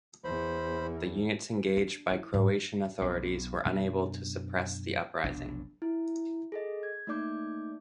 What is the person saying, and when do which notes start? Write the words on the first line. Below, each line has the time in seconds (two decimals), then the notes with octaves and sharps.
The units engaged by Croatian authorities were unable to suppress the uprising.
0.24 E2 C5 B5
1.77 D4
2.10 E4
2.34 G#2
3.01 B1
3.65 F#2 B2 D4
5.23 F1 B1 F#3 D4
5.82 E4
6.52 G#4 A4 D#5
6.83 G#6
7.07 A3 A#3 D#4 D5 D6 G6